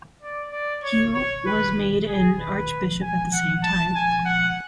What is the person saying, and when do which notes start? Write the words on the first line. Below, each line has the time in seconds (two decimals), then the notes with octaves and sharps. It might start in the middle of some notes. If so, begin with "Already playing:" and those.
He was made an Archbishop at the same time.
0.22 D5
0.52 D5
0.84 C#5
1.14 C#5
1.46 B4
2.08 G#4
2.39 B4
3.02 G#5
3.33 F#5
3.63 A5
3.96 G#5
4.26 F#5